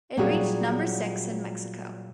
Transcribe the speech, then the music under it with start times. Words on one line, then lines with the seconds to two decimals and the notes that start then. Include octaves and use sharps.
It reached number-six in Mexico.
0.17 A#2 F#3 G3 C#4 F#4 G#4